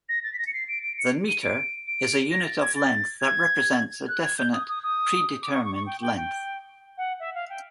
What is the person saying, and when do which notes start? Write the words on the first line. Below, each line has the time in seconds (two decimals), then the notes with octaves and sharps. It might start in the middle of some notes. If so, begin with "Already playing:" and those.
The metre is a unit of length that represents a definite predetermined length.
0.09 A#6
0.23 A6
0.33 B6
0.39 A#6
0.47 C#7
0.53 C7
0.68 D7
0.82 D7
0.98 C#7
1.28 D#7
1.42 D7
1.87 D7
2.31 A#6
2.46 A6
2.61 G#6
2.75 A6
3.20 G#6
4.08 F#6
4.24 G#6
4.38 G6
4.53 D#6
4.68 D#6
4.83 D#6
5.42 D6
5.53 C#6
5.64 C#6
5.75 C#6
5.86 G5
6.01 G5
6.16 G5
6.97 F#5
7.19 E5
7.34 F5
7.49 G5